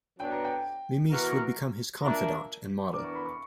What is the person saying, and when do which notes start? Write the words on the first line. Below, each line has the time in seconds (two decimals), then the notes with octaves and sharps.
Mimise would become his confidant and model.
0.19 F#3 B3 D4 G5
0.32 A#5
0.45 G5
1.10 E3 B3 F#4 A#4
2.01 A#2 A#3 D4 A#4 E5 A#5
2.93 E3 B3 D4 A#4 D5 D6
3.04 C#6
3.15 B5
3.26 C#6